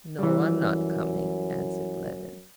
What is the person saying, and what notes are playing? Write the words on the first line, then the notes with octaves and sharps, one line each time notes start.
"No, I'm not coming," answered Levin.
F#2 E3 G3